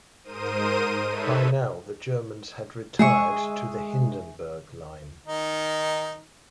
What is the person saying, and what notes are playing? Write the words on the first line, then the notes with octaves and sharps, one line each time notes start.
By now the Germans had retired to the Hindenburg Line.
G#2 A#4 C5 D#6 D#7
D#4 A4 B4 C#5 E5
G#3 G#4 E5 C#6
D#3 D#4